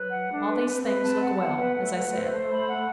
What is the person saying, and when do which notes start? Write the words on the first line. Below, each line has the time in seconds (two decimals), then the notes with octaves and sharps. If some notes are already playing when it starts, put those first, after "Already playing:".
All these things look well, as I said.
Already playing: F#3 B4
0.12 F#5
0.29 A3 D4
0.48 B4
0.66 C4 B4
0.84 B4
1.02 C4 A5
1.20 F#5
1.39 B3 F#5
1.57 B4
1.76 A3 F#5
1.94 B4
2.12 A3 C5
2.30 C5
2.49 B5
2.67 F#5